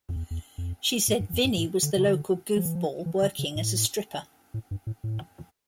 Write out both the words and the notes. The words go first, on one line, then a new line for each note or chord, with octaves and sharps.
She said Vinnie was the local goofball working as a stripper.
F2
E2
E2
F2
A2
G2
F2
G2
A2
D3
C#3
D3
F3
E3
F3
E3
D3
C#3
A2
A2
G2
A2
A2